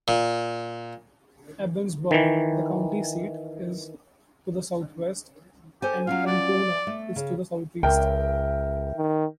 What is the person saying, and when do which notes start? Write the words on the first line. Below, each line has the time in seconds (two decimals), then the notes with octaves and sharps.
Ebensburg, the county seat, is to the southwest, and Altoona is to the southeast.
0.08 A#2
2.11 D#3 E3
5.82 G4 A4 C5 G#5
6.07 F#3 C#4 F4 F5
6.27 D5
6.87 A3
7.16 C#3
7.83 C#2 A#4 E5 G5
8.97 D#3